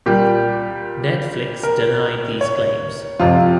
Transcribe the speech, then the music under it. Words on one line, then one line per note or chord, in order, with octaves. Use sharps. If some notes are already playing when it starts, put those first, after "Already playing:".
Netflix denied these claims.
A#2 G3 G4
A#4
C#5
F2 C3 F3 F4